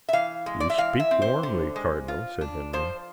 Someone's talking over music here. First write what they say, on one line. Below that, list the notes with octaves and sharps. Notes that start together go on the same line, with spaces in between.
"You speak warmly, cardinal," said Henry.
E5
E3 F5
G#3
D5
E5
E3 F5
E5
C4
C5
D3
G#3
F4
D4
F3 C5